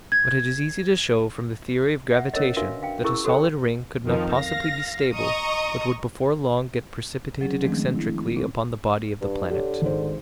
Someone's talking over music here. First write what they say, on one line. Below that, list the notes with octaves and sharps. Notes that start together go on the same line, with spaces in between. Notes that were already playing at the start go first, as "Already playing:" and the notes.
But it is easy to show from the theory of gravitation, that a solid ring could not possibly be stable, but would before long get precipitated excentrically upon the body of the planet.
G#6
E5 F#5
C#4 A#4 C#5 D#5
D4 F#4 A#4 B4 E5 F5
F5 G5
C#4 E4 G#4 A#4 C#6 E6
F#4 A4 C5 C#5 G5
F2 D#3 F3
F5 A#6
D#5 A#5 C#6 D#6
F#3 C#4 G#4
D#3 F3 G#3 A3 C4 D4
E4
A#2 C4
G2
D3 G4 C#5
G#1 G#2 C5